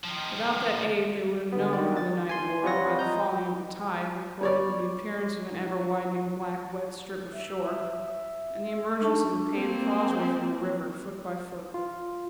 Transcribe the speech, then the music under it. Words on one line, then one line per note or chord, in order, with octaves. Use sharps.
Without that aid they would have known how the night wore, by the falling of the tide, recorded in the appearance of an ever-widening black wet strip of shore, and the emergence of the paved causeway from the river, foot by foot.
D#3 F3
D3 B3
D#3 D5
A6
G#5 C6
G3 C4 F4 C#5 F#5 A#6
D#5 A#5 G6
G3 C#5 D5
E5
G#3 D4 D#4 A4 A5 C#6
A#3 C4
F4